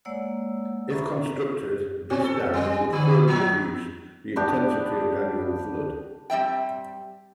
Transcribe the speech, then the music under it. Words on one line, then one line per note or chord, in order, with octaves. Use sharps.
If constructed this dam would further reduce the intensity of the annual flood.
G#3 A#3 C#5 D5 F#5 E6
E5 A#5 B5 C#6
C4
A4
G3
D3
F3
B3 D4 G4
G3 C4 E5 G5